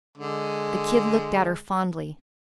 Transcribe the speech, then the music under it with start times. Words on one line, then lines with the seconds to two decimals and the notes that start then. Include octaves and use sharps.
The Kid looked at her fondly.
0.18 D3 G#3